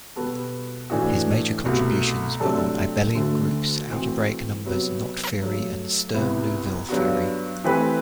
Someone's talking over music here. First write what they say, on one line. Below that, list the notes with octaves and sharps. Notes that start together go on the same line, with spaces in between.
His major contributions were on abelian groups, algebraic numbers, knot theory and Sturm-Liouville theory.
B2 G3 B3 F#4 A4
A2 E3 A3 D4 F#4
C2 B2 A3
C3 F#3 A3 D4 A4
D2 D3 A3
E3 A3 C4 F#4
C3 F#3 B3 F#4
G2 F#3 A3
C2 C3 G3 B3 E4
G2 F#3 B3 D4 F#4
E3 A3 C4 G4 B4